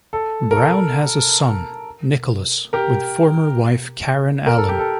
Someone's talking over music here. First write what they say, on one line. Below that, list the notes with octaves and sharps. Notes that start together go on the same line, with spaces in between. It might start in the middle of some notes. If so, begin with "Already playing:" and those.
Browne has a son, Nicholas, with former wife Karen Allen.
A4
A#4
A4
G4 A#4
A#4
A4
G4
A4